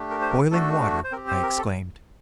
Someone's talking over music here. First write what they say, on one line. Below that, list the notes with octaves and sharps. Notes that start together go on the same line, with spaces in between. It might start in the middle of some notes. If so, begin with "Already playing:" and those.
"Boiling water?" I exclaimed.
Already playing: A3 D4 G4
A#4
C5
A#4
A3 D4 F#4 A4
C5
C4 G4 A#4
C5
A#4
A4